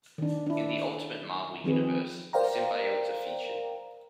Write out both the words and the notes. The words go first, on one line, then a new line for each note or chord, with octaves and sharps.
In the "Ultimate Marvel" universe, the Symbiotes are featured.
D#3 D4
D4 E4
D#3 F3 C4 G#4 B4
A#4 C5 D5 F5 G5 A#5